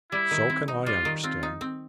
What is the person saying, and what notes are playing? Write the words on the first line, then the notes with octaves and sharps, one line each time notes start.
'So can I understand.
G3 E4
D#3
C4
D#4
G3 F4
D#3
C4 F4
D#4
C4